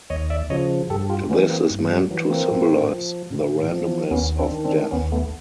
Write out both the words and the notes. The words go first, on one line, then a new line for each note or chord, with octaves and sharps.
This is meant to symbolize the randomness of death.
D#2 C#5 D#5
D5 E5
C#3 F3 C#5 D#5
G2 G4 A4
F4 G4
E3 B3 C#4
A#3 C4
G2
F3 G3
E3 F#3
A#3 C4
A2
F3
A2
F3
D#2 B3 C#4
C4 D4
D#3
C4 D4
D#2 B3 C#4
A3 B3